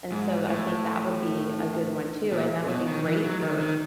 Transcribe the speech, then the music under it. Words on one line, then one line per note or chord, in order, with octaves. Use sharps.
and so, I think that would be a good one too, and that would be great for,
G#2
A2
A#2
B2
D#3
E3
F#3
D#3
D#3